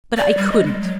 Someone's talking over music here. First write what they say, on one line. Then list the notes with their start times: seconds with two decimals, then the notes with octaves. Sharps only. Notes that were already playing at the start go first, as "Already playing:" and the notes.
But I couldn't!
0.17 D5
0.37 G3
0.52 D#5
0.66 G#3
0.81 F#3